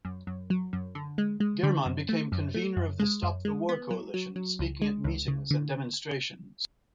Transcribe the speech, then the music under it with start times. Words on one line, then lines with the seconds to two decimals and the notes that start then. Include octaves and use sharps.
German became convenor of the Stop the War Coalition, speaking at meetings and demonstrations.
0.05 F#2
0.27 F#2
0.50 F#3
0.73 F#2
0.95 D3
1.18 G#3
1.40 G#3
1.63 D3
1.86 F#2
2.09 A3
2.32 F#2
2.54 A3
2.77 F#2
3.00 G#3
3.23 F#2
3.45 G#3
3.69 B3
3.91 F#3
4.14 F#3
4.36 F#3
4.59 C#2
4.82 G#3
5.04 C#2
5.28 C#3
5.51 D3